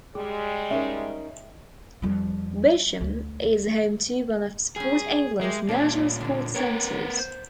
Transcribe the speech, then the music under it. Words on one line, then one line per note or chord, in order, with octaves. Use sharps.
Bisham is home to one of Sport England's National Sports Centres.
G3 G#3 G4 G#4
C#4 D#4 A#4 E5
F2 G3
D2
G3 C#4 G#4
G#3 G4 A#4 E5
A#2 C#4 D4 C#5
D3 C#5
B3 A#4 B4 C#5 G5
C5